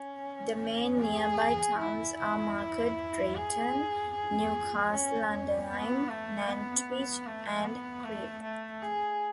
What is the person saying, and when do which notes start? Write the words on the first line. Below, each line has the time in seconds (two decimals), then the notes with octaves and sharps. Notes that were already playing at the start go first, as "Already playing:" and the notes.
The main nearby towns are Market Drayton, Newcastle-under-Lyme, Nantwich and Crewe.
Already playing: C#4
1.00 G#4
1.78 E4
2.18 E4
3.35 G#4
4.13 G#4
4.91 C#4
5.30 C#4
5.70 B3
6.09 A3
6.48 B3
7.26 A3
7.65 B3
8.05 A3
8.43 A3
8.82 G#4